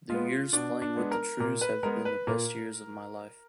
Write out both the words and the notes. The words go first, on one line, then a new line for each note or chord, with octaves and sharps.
The years playing with the Trews have been best years of my life.
G#3 B3 F4
B2 D4
D4
G#3 B3
A#4
A#2 A#4
B4
G#3 B3 A#4
B4
A#2 A#4